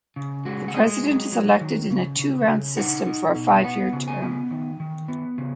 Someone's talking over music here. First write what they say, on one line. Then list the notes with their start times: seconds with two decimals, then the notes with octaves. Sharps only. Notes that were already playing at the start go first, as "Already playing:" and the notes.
The President is elected in a two-round system for a five-year term.
0.16 C#3
0.45 G#3 F#4
0.68 F#5
0.74 G#3 D#5
1.03 F#3
1.32 F#3
1.61 D#3
1.90 C#3
2.19 C#3
2.48 C#3
2.77 D#4 F#5
3.06 D#4
3.35 B2
3.64 B3 F#5
3.93 C#3
4.08 G#5
4.22 B3
4.51 D#3
4.80 D#3
5.08 B3
5.38 C#3